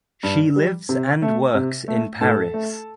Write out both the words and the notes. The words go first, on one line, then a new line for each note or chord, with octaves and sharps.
She lives and works in Paris.
G2
G3
C3
A3
C3
A3
A2 A4 A5
A3